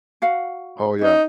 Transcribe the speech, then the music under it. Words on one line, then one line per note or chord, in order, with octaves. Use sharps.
Oh, yeah.
F#4 F5 F#5
C#4 D#4